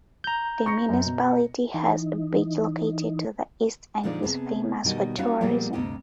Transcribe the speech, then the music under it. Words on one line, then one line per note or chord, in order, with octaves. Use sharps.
The municipality has a beach located to the east and is famous for tourism.
A#5 G6
C#6 A#6 C#7
F#2
B2
E3 D#4
A#2 D3 F3 G#3 D#4 D5
C3 B3 G#4 A5
B2 D#3 G3 F#4 D#5
G3 C#4 D#4 F#4 F5
A#2 F3 G3 G#3 A#3 B3
D2 G2 C3 G4 D#5